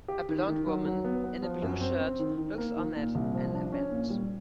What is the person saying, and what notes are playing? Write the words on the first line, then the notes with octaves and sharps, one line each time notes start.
A blond woman in a blue shirt looks on at an event.
G4
D#3
D#3
F#3
F#3
B3
B3
F3
F#2
C4
C4
D#3
D#3
A#3
D#3
A#2
C2
F3
D4
C#4
A#2
G3